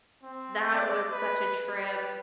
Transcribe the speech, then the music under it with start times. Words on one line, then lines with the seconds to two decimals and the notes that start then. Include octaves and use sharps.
That was such a trip.
0.23 C4
0.74 D5
1.12 B4
1.81 B4